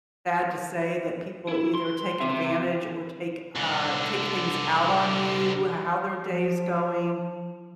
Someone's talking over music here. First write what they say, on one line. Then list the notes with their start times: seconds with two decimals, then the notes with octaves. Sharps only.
sad to say, that people either take advantage or take uh, take things out on you, how their day is going.
1.48 E4
1.75 C6
2.20 C4 E5
3.56 C2 D3
6.30 F3